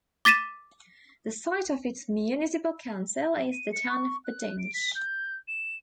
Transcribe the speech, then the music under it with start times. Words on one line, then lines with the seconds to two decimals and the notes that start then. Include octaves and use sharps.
The site of its municipal council is the town of Buddinge.
0.25 D6 A6 B6 D#7 E7
3.51 D#7
3.72 C#7
3.89 C#6
4.24 F#6
4.58 D7
4.74 B6
4.95 G6
5.47 E7